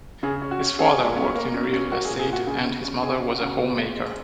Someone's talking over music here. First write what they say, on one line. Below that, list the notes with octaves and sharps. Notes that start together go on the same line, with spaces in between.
His father worked in real estate and his mother was a home-maker.
C#3 G#4
C#4
F#4
C#4
C#4 G#4
G#3
C#4
A#3
C#4
C#4
A#3 F#4
G#4
A#2
G#4
A#2 F#4
C#3 G#4
C#3
C#4
C#3 G#4
C#4
F#4
C#3
A#2
G#3
G#3